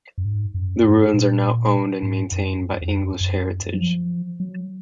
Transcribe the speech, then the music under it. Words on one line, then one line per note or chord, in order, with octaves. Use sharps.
The ruins are now owned and maintained by English Heritage.
F#2
G#2
F#2
G#2
A#2
G#2
F#2
F2
F#2
F#2
F#3
F3
F#3